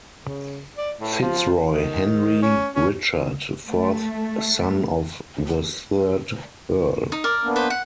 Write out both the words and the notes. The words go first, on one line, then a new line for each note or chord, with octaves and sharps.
FitzRoy Henry Richard, fourth son of the third Earl.
C#3
D5
A2
F3
D#3
C#4
C#4
A3
D#4
A#4 D5
A#3 B3 D4
B4 C5
F#5